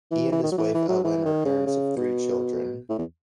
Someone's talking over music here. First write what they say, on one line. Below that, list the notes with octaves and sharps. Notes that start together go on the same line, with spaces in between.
He and his wife Ellen are parents of three children.
E3
E3
D#3
F#3
E3
E3
F#3
E3
D#3
C#3
C#3
B2
A2
E2